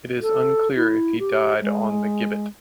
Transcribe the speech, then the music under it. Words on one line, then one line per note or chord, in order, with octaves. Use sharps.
It is unclear if he died on the gibbet.
A4
E4
G4
G#3